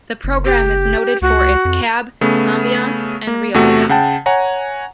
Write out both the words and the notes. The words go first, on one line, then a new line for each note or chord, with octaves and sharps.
The program is noted for its cab ambiance and realism.
F#1
G4
C#2 F#4
F2
C#3 A3 B3
A#3
E2 C3 A3 F#4
C#3 F#5 G5 A5
C#5 F#5 G#5 A#5